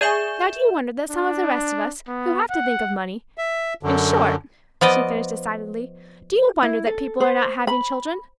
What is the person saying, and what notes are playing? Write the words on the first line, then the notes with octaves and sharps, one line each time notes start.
Now do you wonder that some of the rest of us, who have to think of money--in short," she finished decidedly, "do you wonder that people are not having children?
G#4 D5 E5 G#5 C#6 G6 E7
D4
B3
F#5
E5
F#2 D3
F3 B3 D5 D#5
E4
A4
C5
B5